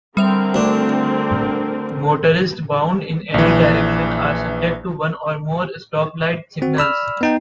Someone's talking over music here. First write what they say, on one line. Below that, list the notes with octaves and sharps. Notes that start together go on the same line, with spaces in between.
Motorists bound in any direction are subject to one or more stoplight signals.
D3 G3 C4 A#4 E5 F7
D2 D4
A#1 E3
C4 F#4
D5 B5 E6 F6
B3 D#4 G5